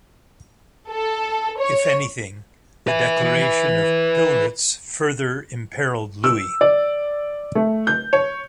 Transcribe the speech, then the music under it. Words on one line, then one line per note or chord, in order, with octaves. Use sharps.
If anything, the Declaration of Pilnitz further imperilled Louis.
A4
C#5
B4 E5
E6
D5
A3
G6
C#5